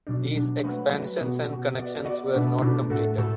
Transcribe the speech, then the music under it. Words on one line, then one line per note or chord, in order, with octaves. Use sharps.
These expansions and connections were not completed.
B2 F#3 D4
B2 F#3 D4
F#3 A3 F#4 B4
F#3 A3 F#4 B4
B2 B3 F#4
B2 B3 F#4
B3 F#4 D5
B3 F#4 D5
B2 A3 D4 F#4 B4
B2 A3 D4 F#4 B4
A2 A3 F#4 A4
A2 A3 F#4 A4